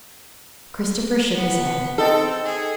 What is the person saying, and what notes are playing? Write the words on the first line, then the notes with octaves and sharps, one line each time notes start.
Christopher shook his head.
B3
C4 D#4 A4 D#5 G5
G#4